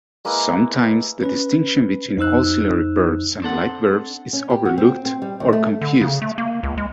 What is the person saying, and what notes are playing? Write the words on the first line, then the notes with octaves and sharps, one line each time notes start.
Sometimes the distinction between auxiliary verbs and light verbs is overlooked or confused.
G#3 A#3 E4 B4
C#4 B4
F2 D#4 C5 E6 F#6
C4 D4 A4 F#5
C#4
G4
F#4
C4
C4
G3
D#2
A3
D3
C#3
A3
A#3
C#2
G#3